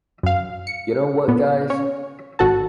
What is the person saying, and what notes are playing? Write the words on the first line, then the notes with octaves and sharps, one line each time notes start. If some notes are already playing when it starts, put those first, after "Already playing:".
You know what, guys?
F#2 F5
C#7
A#2 B3
C#4 C#5
G#1 F#4 A4 A5